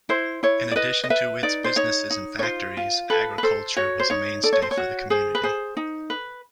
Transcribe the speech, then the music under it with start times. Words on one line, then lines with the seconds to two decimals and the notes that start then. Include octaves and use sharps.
In addition to its businesses and factories, agriculture was a mainstay for the community.
0.09 E4 C5
0.43 E4 C#5
0.71 D5
0.76 B4 D#5
1.04 D#5
1.10 B4 E5
1.43 D#4 D5
1.64 C5
1.76 D#4 C#5
2.10 D#4
2.39 C#5
2.43 F4 C5
2.77 F4
3.10 A4 B4
3.38 B4
3.43 A4 C5
3.77 F#4 C#5
4.00 C5
4.10 D#4 C#5
4.44 A4 D5
4.53 C#5
4.62 C5
4.71 C#5
4.77 F#4
5.10 G#4 C5
5.35 B4
5.43 G#4 C5
5.77 D#4
6.10 B4